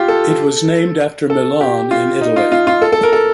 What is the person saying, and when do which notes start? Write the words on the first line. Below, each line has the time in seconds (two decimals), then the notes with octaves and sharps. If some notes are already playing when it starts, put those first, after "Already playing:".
It was named after Milan, in Italy.
Already playing: F4 G4
0.08 A4
1.30 A4
1.61 G4
1.91 F4
2.21 D#4
2.36 F4
2.52 F4
2.67 F4
2.82 A4
2.92 A4
3.03 A#4
3.13 A4